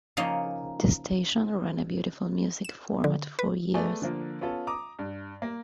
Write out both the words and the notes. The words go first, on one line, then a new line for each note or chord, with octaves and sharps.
The station ran a "beautiful music" format for years.
C#3 F3 A#3 D#4 C#5
E7
D3
B4
A3 B3 G#4 D5 G#5
D3 F3 A#3
B3 C#4 F4 A4
A#5 D6 D#6
G2
A#3